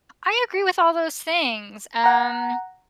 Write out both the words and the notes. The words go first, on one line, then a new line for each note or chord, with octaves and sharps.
I agree with all those things, um
F#5 A#5